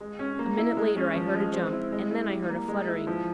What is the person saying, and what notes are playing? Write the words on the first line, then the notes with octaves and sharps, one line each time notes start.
A minute later I heard a jump, and then I heard a fluttering.
G#3
C#4
A#3
E4
G#3
C#4
F3
G#3
C4
E4
G#3
E4
G3
A#3
G#3
E4
F3